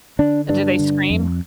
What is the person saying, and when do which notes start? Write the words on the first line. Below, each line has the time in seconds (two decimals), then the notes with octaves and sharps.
Uh, do they scream?
0.19 D3 D4
0.49 G2 D4
0.79 D3
1.10 F2